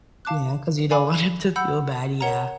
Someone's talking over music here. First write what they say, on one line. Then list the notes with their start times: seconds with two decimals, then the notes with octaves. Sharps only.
Yeah, 'cause you don't want him to feel bad, yeah.
0.25 F5 A5 D6 F#6
0.90 D5 F5 G#5 B5 D6
1.56 F#5 B5 E6 G6
2.21 A#4 C#5 F#5 A#5